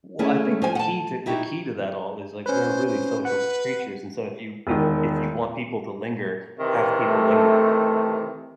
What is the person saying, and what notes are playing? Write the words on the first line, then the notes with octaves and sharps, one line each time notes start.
Well, I think the key to the key to that all is, like, we're really social creatures, and so if you if if you want people to linger, have people lingering,
A3 C#4 E4 G#4
F3 C5 G#5
F#5 A5
D#4 E4 F#4 G4
C#4 B4 C5
C5
B4 F#5
E1 D#3
C3 D#3 E3
A3